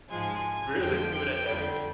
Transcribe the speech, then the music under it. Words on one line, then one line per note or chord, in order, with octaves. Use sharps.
really good at everything.
G#2 F3 G#3 G#5
F2 D3 F3 G5
F2 D3 G3